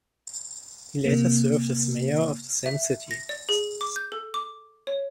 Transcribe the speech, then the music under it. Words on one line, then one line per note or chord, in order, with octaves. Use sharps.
He later served as mayor of the same city.
C3 A#3
E5
A#6
D5
G#4
D6
G6
A4
D6
C#5